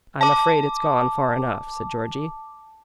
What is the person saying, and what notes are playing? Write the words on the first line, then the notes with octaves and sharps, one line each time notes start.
"I'm afraid it's gone far enough," said Georgie.
A5 D6